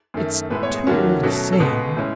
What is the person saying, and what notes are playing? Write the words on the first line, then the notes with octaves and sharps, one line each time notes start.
It's too old a saying.
F#2 D#3 A3
A2 E3 G#3 B3 B4
C#5
G#4
D#2 D#3 F#3 A3 C#4 F#4
B2 F#3 A3 C#4
A4
C#2 B2 G#3 B3 G#4
A2 E3 G#3 C#4